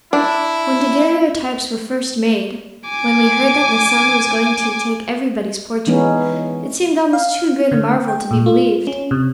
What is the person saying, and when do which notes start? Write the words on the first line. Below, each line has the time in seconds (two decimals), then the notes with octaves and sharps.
When daguerreotypes were first made, when we heard that the sun was going to take everybody's portrait, it seemed almost too great a marvel to be believed.
0.13 D4 E4
2.90 G#5 D6
5.87 E3 G#3 B3 C#4 D#4
7.13 F5
7.71 D3
8.08 G5
8.31 A#2
8.46 F4
8.87 C#4
9.11 C3